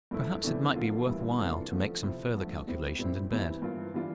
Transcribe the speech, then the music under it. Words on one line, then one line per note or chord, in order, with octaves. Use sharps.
Perhaps it might be worth while to make some further calculation in bed.
G2 F3 A3 E4
C3 E3 A3 D4
D3 F3 A#3 F4
G2 E3 G3 A#3 E4
C3 E3 A3 D4 F4
D3 F3 A3
C3 F3 C4 E4
G2 D3 F3 A3
A2 G3 C4 G4
A#2 G3 C4 E4 G4
G2 E3 G3 C4 E4
G2 E3 A#3 F4
E3 G3 D4 F4